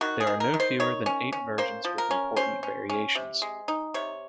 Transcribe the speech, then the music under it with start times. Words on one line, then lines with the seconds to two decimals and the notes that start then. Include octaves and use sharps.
There are no fewer than eight versions with important variations.
0.01 D#3 F#4
0.20 G#4
0.27 D#3
0.40 A#4
0.54 D#3
0.60 C5
0.80 D#3 C#5
1.06 C#4
1.32 C#4
1.58 A#3 C5
1.85 F3
1.98 A#4
2.11 C#4
2.36 C#4 C5
2.63 C#4
2.90 C#4
3.15 C3
3.42 G#3
3.68 D#4
3.94 C3 C#5